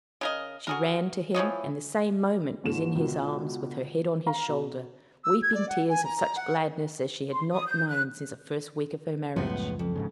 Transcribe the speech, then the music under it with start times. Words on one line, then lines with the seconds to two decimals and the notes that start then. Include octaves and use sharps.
She ran to him, and the same moment was in his arms, with her head on his shoulder, weeping tears of such gladness as she had not known since the first week of her marriage.
0.21 C#3 A#4 D#5
0.67 F#4 G#4 A#4
1.34 E3 F3 C#5 D#5
2.64 D#2 G#2 F3 E7
2.95 C#2 B2 D3
4.26 F5 A#5
4.48 B2
5.24 E6
5.42 G#6
5.54 D5
5.68 F#5
5.89 G#5
6.04 A#5
6.16 A#5
6.36 F#5
7.32 C6
7.52 D#6
7.66 G6
7.87 F#6
9.36 C#2 F#2 A2 F3 G#3 B3
9.79 F2
9.96 G#1 G#2 C#3